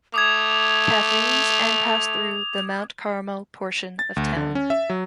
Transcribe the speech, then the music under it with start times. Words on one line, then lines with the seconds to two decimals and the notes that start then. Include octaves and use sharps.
Catherines and pass through the Mount Carmel portion of town.
0.14 A3 D6 D#6 G#6 F7
3.99 A6
4.16 D2
4.36 D3
4.55 C#4
4.70 E5
4.90 F#3